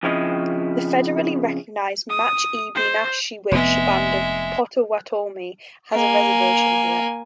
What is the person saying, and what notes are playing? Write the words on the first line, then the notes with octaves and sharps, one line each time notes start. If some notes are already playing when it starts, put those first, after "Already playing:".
The federally recognized Match-E-Be-Nash-She-Wish Band of Pottowatomi has a reservation here.
F2 C#3 F3 E4 A4 D#5
D#6
C5
F1 G#3 B3 E5
A#3 G#5